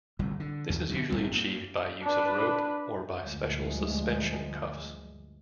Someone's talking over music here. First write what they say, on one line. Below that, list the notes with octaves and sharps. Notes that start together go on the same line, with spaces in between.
This is usually achieved by use of rope or by special suspension cuffs.
G1 C2 A2
D3
D#2 C#3
B2 D3 D#3 F#3
G1 G2 G3 C4
G2 B2 A#3
D4 B4
D2 G2 F3 G#3